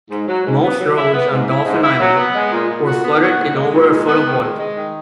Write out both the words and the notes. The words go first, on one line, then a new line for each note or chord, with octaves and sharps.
Most roads on Dauphin Island were flooded in over a foot of water.
G#2
F#3
G#2
B3
F#3
E4
B3
G#2
E4
G#2
E4
F#3
B3
G#3
A#2
A#2
F#4
B3
F#4
A#2
G#3
A#2
G#3
B3
D#3
G#3
G#3
D#3